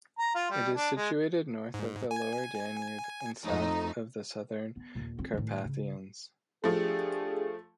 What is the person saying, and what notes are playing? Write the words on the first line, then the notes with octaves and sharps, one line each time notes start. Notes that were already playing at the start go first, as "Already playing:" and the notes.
It is situated north of the Lower Danube and south of the Southern Carpathians.
A#5
F4
G3
D4
G#3
G#2
G#5
F2 A3 D#4
B3
D#2 A#2
C4 F4
A2 D#3
C#3
F3 A3 D4 G4 G#4